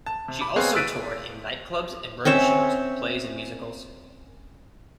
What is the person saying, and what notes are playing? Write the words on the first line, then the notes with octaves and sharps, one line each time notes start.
She also toured in nightclubs and roadshows of plays and musicals.
A5
C3
B5 D6
B3 C4 G#4 B4 C#5 F5
E6 F#6 A6 B6 D7 D#7
C4 C#4 C#5 E5